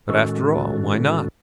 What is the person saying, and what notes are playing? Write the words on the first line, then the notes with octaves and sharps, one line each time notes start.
But, after all, why not?
A2 D#3 G#3 C#4 F#4 A4